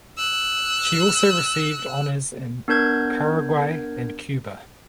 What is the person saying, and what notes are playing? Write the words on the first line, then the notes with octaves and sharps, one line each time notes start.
She also received honors in Paraguay and Cuba.
E6 F#6
B3 D4 A#4 G6 G#6